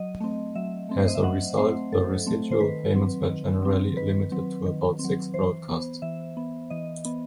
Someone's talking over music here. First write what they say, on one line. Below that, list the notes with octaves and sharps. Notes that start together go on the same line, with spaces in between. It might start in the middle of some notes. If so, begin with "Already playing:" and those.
As a result, the residual payments were generally limited to about six broadcasts.
Already playing: F#3 D#5
A3 C4
F#3 E5
A3 C4
C5
D#5
E5
F#3 F#5
A3 C4 C5
F#3 A4
A3 C4
C5
D#3 B4
F#3 C4
D#3
F#3 C4
D#3 B4
F#3 C4
D#3
C4
F#3
E3 C5
B3
E3 E5
B3
E3 D#5
B3